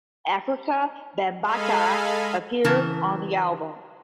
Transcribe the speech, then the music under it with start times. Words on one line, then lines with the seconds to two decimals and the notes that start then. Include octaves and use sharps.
Afrika Bambaataa appears on the album.
1.43 G#3 A4 D#5 F5 G#5 B5
2.64 C#3 E3 A#4 A5